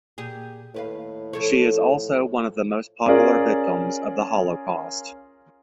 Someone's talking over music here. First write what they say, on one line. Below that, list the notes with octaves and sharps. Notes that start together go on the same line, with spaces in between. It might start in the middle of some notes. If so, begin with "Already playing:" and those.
She is also one of the most popular victims of the holocaust.
A#2 G4 G#4
D#2 A2 B4 F5
F3 A4 C#5
C#4 F4 G#4 A#4 D5